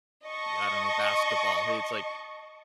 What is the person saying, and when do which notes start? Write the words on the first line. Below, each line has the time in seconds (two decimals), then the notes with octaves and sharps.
I don't know, basketball." It's like,
0.25 D#5 A5 C#6